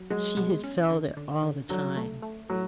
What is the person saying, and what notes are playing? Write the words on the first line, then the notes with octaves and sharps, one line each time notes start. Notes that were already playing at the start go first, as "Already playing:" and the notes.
She had felt it all the time.
Already playing: F#3
F#3 G#3
B2
C#4
D3
D3
D3
D3 F#3
A3
A3
A2 F#3